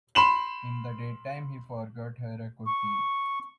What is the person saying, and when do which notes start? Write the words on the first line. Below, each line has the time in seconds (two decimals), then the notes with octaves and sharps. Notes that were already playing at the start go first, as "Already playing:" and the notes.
In the daytime he forgot her a good deal.
0.15 B5 C6 E7 F#7
2.67 C#6